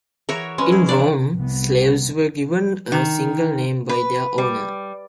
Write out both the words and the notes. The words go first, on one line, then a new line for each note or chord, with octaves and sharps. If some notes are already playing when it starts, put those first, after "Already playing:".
In Rome slaves were given a single name by their owner.
E3 F#4 G#4 A#4 C#5 E5 A#5
G#3 C#4 B4 B5 C6
E4 G#4
E3 F3 D4 D5
C2 C3 B3
D#3
B4
G3